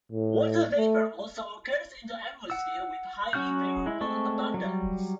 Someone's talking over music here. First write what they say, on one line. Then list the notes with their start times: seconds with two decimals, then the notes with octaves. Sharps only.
Water vapor also occurs in the atmosphere with highly variable abundance.
0.12 A2
0.77 A3
2.50 F#5 E6
3.33 F#3 C#4 F#4 F6 G6
3.86 G#3 E4
4.01 G#3 A3 C4 A4 C#6
4.54 F#3 G3